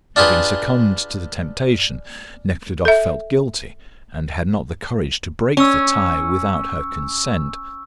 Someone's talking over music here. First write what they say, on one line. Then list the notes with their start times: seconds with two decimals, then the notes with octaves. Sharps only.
Having succumbed to the temptation, Nekhludoff felt guilty, and had not the courage to break the tie without her consent.
0.16 D4 F4 G4 G#4 B4
2.85 A4 E5
5.57 C#4 C#6 E6